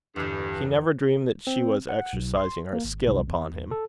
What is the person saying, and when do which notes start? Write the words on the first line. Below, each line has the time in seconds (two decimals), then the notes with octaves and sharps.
He never dreamed that she was exercising her skill upon him.
0.16 G1 E2 G2
1.47 C4
1.89 F#5
2.13 B1
2.37 C6
2.73 A#3
2.84 G#1
3.07 C2
3.28 E2
3.71 A4